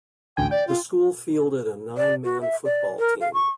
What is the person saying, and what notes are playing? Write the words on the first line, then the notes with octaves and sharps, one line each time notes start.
The school fielded a nine-man football team.
A1 D2 G5 G#5
D5 G5
F4
D5
F#4
E5
D5
A#4
F5
C#6